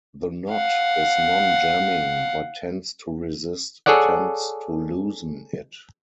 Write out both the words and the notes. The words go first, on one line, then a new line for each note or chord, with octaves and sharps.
The knot is non-jamming but tends to resist attempts to loosen it.
F5 F#5
G#4 A4 C#5 D5 F#5